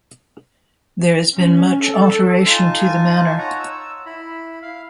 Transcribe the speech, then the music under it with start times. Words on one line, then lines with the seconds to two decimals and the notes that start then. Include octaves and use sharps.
There has been much alteration to the manor.
1.34 C#4
1.82 A4
2.46 D#4 F4 G#5 A5
3.38 C#5 F#5 A#5
3.59 E6
4.06 E4 B5
4.62 F5